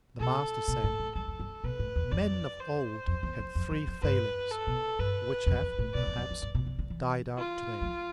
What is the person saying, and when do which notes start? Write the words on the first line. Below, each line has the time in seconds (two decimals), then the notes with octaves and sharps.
The Master said, Men of old had three failings, which have, perhaps, died out to-day.
0.19 B2 A4
0.68 B2
0.84 A2
1.00 A2
1.15 G2 A4
1.28 F2
1.40 G2
1.64 B2 B4
1.79 A2
1.96 E2
2.11 F2 D5
2.60 C5
3.07 F2
3.23 E2
3.39 F2
3.55 F2
3.71 F2
3.87 F2
4.02 G2 B4
4.51 A4
4.67 B2
4.99 G2 B4
5.46 F2
5.63 F2
5.79 A2
5.94 B2 D5
6.07 E2
6.18 F2
6.31 F2
6.43 G2
6.55 B2
6.66 C3
6.79 D3
6.90 E3
7.38 F4
7.82 G3
7.86 F3